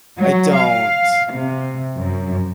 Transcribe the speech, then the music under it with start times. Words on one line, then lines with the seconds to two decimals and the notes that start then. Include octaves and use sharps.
I don't.
0.19 F#3
0.54 F5
1.31 C3
1.97 F#2